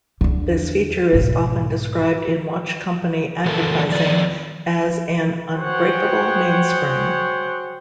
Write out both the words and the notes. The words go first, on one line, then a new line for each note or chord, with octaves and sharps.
This feature is often described in watch company advertising as an "unbreakable mainspring".
E2 D3
B1 G#2
E3 F#3 A4 A#4
D#3 F3 D5
F#4 G#4 C5 C#5 F#5 G5